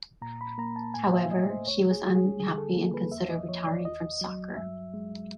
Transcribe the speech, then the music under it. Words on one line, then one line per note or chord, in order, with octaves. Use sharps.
However, she was unhappy and considered retiring from soccer.
A#2 A#5
B5
A#3 A#5
A5
A2 G#5
E5
A3 D#5
C5
C#2 C#5
G#4
G3
G#4
D3 G#4
A4
A#3
B4
F2 E5
D#5
F3 C#5
D5
D#2 D#5
F#3
G2 E5
G#3